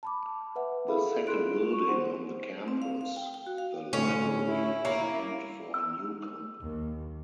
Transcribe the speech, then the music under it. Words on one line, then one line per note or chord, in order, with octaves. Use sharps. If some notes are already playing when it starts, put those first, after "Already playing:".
The second building on the campus, the library, was named for Newcomb.
A5 B5 D6
B4 E5 F#5
E4 G#4 A4 E5 F5 B5
F4 G#4 A#4 C6 F#6 D7
C#6
C5 F#5 C6
C4
F5
F5
G5
G5
F#4
F5
A2 D3 C4 C#4
E4
A#3 C#5 A#5
E6
D#2